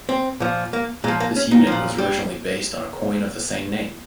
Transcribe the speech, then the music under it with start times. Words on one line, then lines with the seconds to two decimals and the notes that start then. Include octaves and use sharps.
This unit was originally based on a coin of the same name.
0.09 C4
0.40 A#2 F3
0.73 A#3
1.04 A#2 G#3
1.08 F3
1.20 A#3
1.36 C#4
1.51 D#4
1.67 A#2 F3
1.98 G3